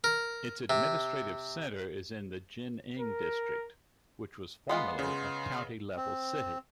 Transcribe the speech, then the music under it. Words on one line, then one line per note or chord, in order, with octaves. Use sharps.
Its administrative centre is in Jining District, which was formerly a county-level city.
A#4
C3
A#4
G#3 B3 F4 C6
C#3
C4